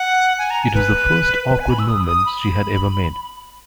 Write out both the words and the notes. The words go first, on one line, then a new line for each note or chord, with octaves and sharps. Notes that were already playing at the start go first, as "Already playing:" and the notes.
It was the first awkward movement she had ever made.
Already playing: F#5
G#5
A#5
G#5
B4
B4
G#5
B5
E6
D#6
D#6
B5